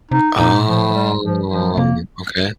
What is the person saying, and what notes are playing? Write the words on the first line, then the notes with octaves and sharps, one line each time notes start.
Oh, okay.
C3 D#4
A#2 D#4
F3
F3
G3
F3
F3
A3
C3 A#3